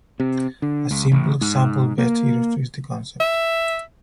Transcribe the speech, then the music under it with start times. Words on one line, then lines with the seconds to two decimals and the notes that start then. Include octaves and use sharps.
A simple example best illustrates the concept.
0.20 C3
0.62 D3
0.91 C#2
1.12 A1
1.41 G#2
1.98 A#3
3.20 E5